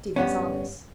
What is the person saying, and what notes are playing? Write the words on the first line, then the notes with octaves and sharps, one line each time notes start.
Stephen saw this.
G2 B3 C#4